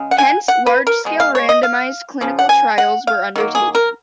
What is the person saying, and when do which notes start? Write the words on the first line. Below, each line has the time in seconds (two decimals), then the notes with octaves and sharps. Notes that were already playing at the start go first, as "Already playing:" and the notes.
Hence, large-scale randomized clinical trials were undertaken.
Already playing: C#3 G#3
0.11 F#5
0.18 G#5
0.48 F#5
0.66 B4
0.87 A#4
1.05 B2 G#3
1.20 F5
1.35 C#5
1.49 D#5
1.63 F5
2.21 C#3 F3
2.39 F#5
2.49 G#5
2.78 F#5
3.07 F5
3.36 D#3 F#3 A#3
3.55 G#4
3.75 A#4